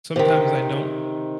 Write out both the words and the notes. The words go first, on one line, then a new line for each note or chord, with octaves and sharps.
Sometimes I don't
C3 D#3